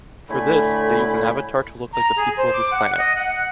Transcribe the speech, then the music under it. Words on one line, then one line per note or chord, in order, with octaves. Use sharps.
For this, they use an avatar to look like the people of this planet.
A2 D3 A3 G#5 B5
A#5
G#4
C5
D6
F#5
D#5
F#5